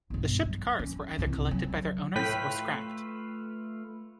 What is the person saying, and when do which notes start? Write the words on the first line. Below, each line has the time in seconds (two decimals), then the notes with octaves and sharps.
The shipped cars were either collected by their owners or scrapped.
0.10 B1 G2
0.45 F#3
0.79 C#4
1.18 C2 C#3
1.51 F#3
2.16 A2 A3 F4 B4 G5 B6